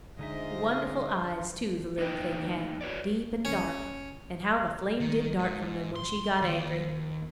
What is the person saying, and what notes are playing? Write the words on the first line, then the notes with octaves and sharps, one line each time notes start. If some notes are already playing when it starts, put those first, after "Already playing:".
Wonderful eyes, too, the little thing had--deep and dark--and how the flame did dart from them when she got angry!
D3 G#3 D4 D#4 F4 C5 D#5 E5
A3 A#3 D#4 B4 D#5 G5
F#4 B4 C#5 D5
C#4
D#3
G#2
C6
D#2